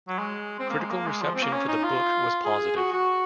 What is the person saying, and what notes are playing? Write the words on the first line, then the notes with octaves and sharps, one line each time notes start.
Critical reception for the book was positive.
F#3
G#3
C4
A#3
G#3
A#3
G#3
F3
C4
A#3
C#4
D#4
F4
G#4
F#4
F#4